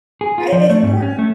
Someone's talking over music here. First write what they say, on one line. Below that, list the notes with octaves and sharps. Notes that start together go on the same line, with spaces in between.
I is important.
G#4
F4
F3
A3
G#2
C#4
A3